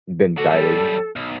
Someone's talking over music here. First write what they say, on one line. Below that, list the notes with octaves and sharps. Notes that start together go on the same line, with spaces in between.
been guided.
D3 F#4 A4
F#2 G3
B1